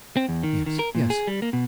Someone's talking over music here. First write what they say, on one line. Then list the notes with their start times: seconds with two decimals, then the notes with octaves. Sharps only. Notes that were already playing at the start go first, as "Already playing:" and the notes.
"Yes, yes."
0.17 C4
0.29 E2
0.43 D#3
0.66 D#3
0.79 A#4
0.95 A#2
1.10 G#4
1.27 G3
1.42 A#3
1.53 B2